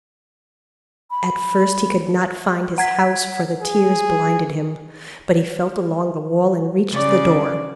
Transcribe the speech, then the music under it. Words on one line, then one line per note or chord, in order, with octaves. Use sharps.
At first he could not find his house, for the tears blinded him, but he felt along the wall and reached the door.
B5
F#5 G#6 B6
G#4
C#3 D5